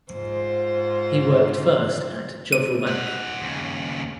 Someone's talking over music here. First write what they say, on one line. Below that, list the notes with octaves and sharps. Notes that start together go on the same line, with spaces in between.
He worked first at Jodrell Bank.
G#2 F4 C5
D#7
D#4 F#5
D#2 C#3